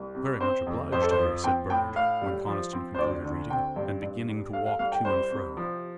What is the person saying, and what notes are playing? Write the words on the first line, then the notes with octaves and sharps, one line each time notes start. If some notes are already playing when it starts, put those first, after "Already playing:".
"Very much obliged to her," said Bernard, when Conniston concluded reading, and beginning to walk to and fro.
Already playing: C2
C3
C4 C5
F2
F2 C5
A4
C5
F3
C4 G5
A2 G5
A2 F5
G3
F3
C4
C5
D2 D5
D3
C4 G5
G2
G2
G3
A3 F5
F5
C2 F5
G5
C2 C5
C3
F3